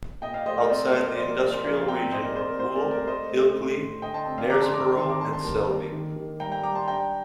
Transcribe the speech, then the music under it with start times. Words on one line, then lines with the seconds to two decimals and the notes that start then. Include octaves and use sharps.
Outside the industrial region were Goole, Ilkley, Knaresborough and Selby.
0.22 A#2 D#5 G5
0.34 D5 F5
0.45 A3 C5 D#5
0.58 A#4 D5
0.69 C4 C5 D#5
0.93 C4 C5 D#5
1.05 A#4 D5
1.17 F3 C5 D#5
1.29 A#4 D5
1.41 A#2 A#4
1.53 C5
1.64 F3 A#4 D5
1.77 D5 F5
1.88 C4 G5 A#5
2.12 A#2 C5 D#5
2.24 A#4 D5
2.35 C4 C5
2.48 A#4
2.60 C4 C5
2.75 A#4 D5
2.84 A3
2.91 A#4 D5
3.07 A3 C5 D#5
3.31 A3
3.55 A3
3.79 A2
4.02 D3 D#5 G5
4.14 A5 C6
4.26 C4
4.38 D5 F5
4.50 D3 A#5 D6
4.61 A5 C6
4.74 C4 A#5 D6
4.85 A5 C6
4.97 D#3 A5 C6
5.10 A#5 D6
5.21 D4 A5 C6
5.33 A5 C6
5.45 A#3
5.68 A#3
5.93 D#3
6.16 D#3
6.40 G3 G5 A#5
6.52 G5 A#5
6.63 G3 A#5 D6
6.75 A5 C6
6.88 D4 G5 A#5